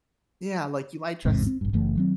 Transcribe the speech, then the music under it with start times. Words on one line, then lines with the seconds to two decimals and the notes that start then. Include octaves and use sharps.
Yeah, like, you might dress
1.25 A1 E2 G#2 C3
1.47 C4
1.61 A1 G2
1.73 F#1 F#2 E3 A3
1.95 D#3 F#3 C4